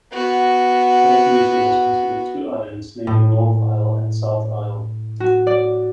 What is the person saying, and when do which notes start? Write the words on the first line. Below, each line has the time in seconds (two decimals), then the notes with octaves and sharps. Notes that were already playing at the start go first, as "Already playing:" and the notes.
Thus Mousa was considered two islands, namely North Isle and South Isle.
0.13 B3 F#4
3.07 A2
5.20 F#4
5.47 D5